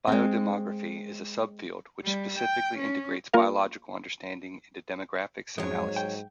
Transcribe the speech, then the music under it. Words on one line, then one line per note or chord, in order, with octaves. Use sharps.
Biodemography is a subfield which specifically integrates biological understanding into demographics analysis.
G#3 C4
G3
G5
C#4
A#3 F4 A#4 F5
F2 G#2 F#3 G#3 C#5
G5